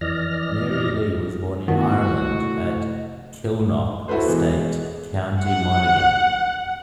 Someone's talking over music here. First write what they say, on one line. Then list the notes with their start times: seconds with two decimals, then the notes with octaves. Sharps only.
Mary Lee was born in Ireland at Kilknock Estate, county Monaghan.
0.01 F2 E3 D5 D#5 F6 A#6
1.68 A2 C3 D#3 B3 F#4
4.08 E4 F#4 A4 B4 C5
4.26 B2 E3 G#3
5.41 F#5